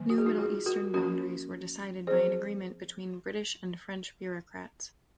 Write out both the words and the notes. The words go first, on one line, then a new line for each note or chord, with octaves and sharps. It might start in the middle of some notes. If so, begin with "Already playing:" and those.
New Middle Eastern boundaries were decided by an agreement between British and French bureaucrats.
Already playing: D#3 F#3 A#3
F#4
G#4
D#4 F#4
F4 G#4
F#4 A#4
F3 A#3 C#4 F#4 A#4
F3 C4 G#4 C5